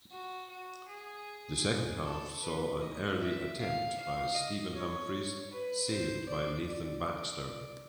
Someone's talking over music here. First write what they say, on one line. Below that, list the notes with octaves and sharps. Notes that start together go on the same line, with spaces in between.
The second half saw an early attempt by Stephen Humphrys saved by Nathan Baxter.
F#4
F#4
G#4
A4
B4
D#5
E5
F5
F5
D#5
C#5
B4
C5
D5
D5